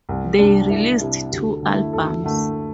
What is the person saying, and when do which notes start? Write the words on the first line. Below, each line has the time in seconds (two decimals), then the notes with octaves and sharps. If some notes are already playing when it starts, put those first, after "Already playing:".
They released two albums.
0.09 C2
0.38 C3 G3 D4
0.69 C2 E4
1.00 C3 G3 E4
1.31 D2 G4
1.52 A4
1.63 D3 A3
1.73 E4
1.93 D2 A4
2.24 D3 A3